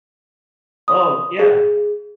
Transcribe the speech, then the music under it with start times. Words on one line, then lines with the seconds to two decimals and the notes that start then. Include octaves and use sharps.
Oh, yeah.
0.88 D#6
1.40 G#4